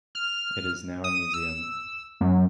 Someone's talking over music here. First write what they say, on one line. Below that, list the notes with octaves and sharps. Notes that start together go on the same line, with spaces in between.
It is now a museum.
F6
D#6
E6
F#2